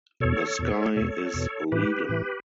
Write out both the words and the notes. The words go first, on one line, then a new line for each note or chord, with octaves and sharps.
The sky is leaden.
E2 B2 A4 C#5
E2 B2
E2 B2 A4 C#5
E2 B2
A2 E3 G4 B4
A2 E3